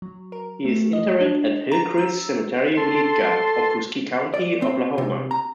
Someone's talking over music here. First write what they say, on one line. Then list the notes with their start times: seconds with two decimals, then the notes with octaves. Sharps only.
He is interred at Hillcrest Cemetery Weleetka, Okfuskee County, Oklahoma.
0.02 F#3
0.32 A#4
0.65 A3
0.93 D#5
1.21 D4
1.72 A#5
1.98 E6
2.77 A4 C6
4.34 D5
4.62 C4
4.98 C3
5.31 A#5